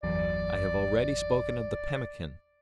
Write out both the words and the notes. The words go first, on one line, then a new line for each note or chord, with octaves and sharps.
I have already spoken of the pemmican.
G1 E2 F#3 D5